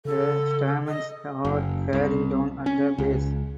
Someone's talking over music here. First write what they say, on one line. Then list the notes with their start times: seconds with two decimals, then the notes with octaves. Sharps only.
The stamens are hairy down at the base.
0.05 C#3 A4
0.87 D#5
1.45 F#1
1.93 C2
2.66 C#4
2.98 C#2